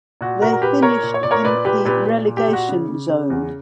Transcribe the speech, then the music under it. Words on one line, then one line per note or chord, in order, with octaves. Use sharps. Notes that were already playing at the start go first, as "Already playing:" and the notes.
They finished in the relegation zone.
A#2 F#4
A#2 F#4 A#4
A#4
A#2 G4 B4
A#2 A#4 C#5
A#2
C#5
A#2 D5
A#4 C#5
A#2 B4 D5
A#2 G4 B4
A#2 G4 B4
A#2
A#2
G4
A#2
F#4
C#3
C#3
C#3
E2